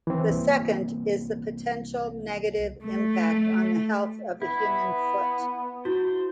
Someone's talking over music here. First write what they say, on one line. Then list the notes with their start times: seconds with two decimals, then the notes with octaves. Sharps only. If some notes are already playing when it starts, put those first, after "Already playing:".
The second is the potential negative impact on the health of the human foot.
0.07 E3 C4
0.30 C2 A#3 B3
2.85 A3
4.42 B3 E4
5.85 E4 F#4 C5